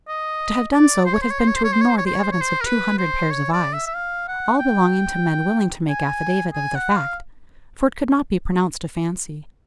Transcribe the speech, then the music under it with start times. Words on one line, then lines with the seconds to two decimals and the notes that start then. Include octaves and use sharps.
To have done so would have been to ignore the evidence of two hundred pairs of eyes, all belonging to men willing to make affidavit of the fact--for it could not be pronounced a fancy.
0.08 D#5
0.72 D5
1.05 C5
1.13 C#5
1.21 C5
1.30 C#5
1.39 C5
1.47 C#5
1.55 C5
1.64 C#5
1.72 C5
1.81 C#5
1.89 C5
1.98 C#5
2.06 C5
2.14 C#5
2.23 C5
2.32 C#5
2.40 C5
2.61 A#4
2.66 B4
2.98 C5
3.30 C#5
3.52 D5
3.73 E5
3.86 E5
3.95 F5
4.28 F#5
4.59 G5
5.89 G#5
6.53 G#5
6.75 F#5
6.96 F5